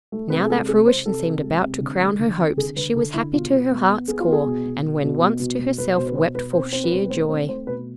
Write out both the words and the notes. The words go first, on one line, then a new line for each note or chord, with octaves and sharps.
Now that fruition seemed about to crown her hopes she was happy to her heart's core; and when once to herself wept for sheer joy.
A3
C3 B4
G#4
G#3 A4
C3 G#4
C3 C5
C3 A4
C3
G#3
C3
D3
A3
D3
C4
D3 G#4
D3 B4
D3 A4
D3 E4
B2 F4
B2
B3
B3
B3 G#4
F4
B3
G#4
B2
B2
B2
B2
B3
B2
B2
B2 B4
B2 C5
B4
B2 C5
B2 B4
C4 C5
C4 C5
B4
B2 C5
B4
A3 C5
C4 C5
A3 C5
B2 B4